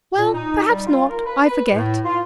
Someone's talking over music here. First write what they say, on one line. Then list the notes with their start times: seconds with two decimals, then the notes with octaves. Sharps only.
'Well, perhaps not--I forget.
0.17 A#2
0.34 D#4
0.69 G3
0.87 F4
1.08 A#4
1.26 B4
1.46 B4
1.73 A2
2.05 F4